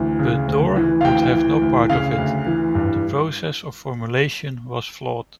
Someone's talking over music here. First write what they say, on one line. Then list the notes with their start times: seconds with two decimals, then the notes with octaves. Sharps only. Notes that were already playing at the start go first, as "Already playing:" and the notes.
But Dorr would have no part of it; the process of formulation was flawed.
Already playing: D2 E3
0.19 C#3
0.48 D2
0.76 E3
1.01 F5
1.04 D2 G5
1.33 E3
1.61 D2
1.89 C#3 F5
2.18 D2
2.46 E3
2.75 G2